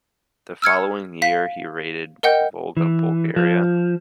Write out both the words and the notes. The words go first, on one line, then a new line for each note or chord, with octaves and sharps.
The following year he raided Volga Bulgaria.
E6 F6 G#6 C#7
F5 B6
A#4 D#5 F#5 G5 G6
E3
F3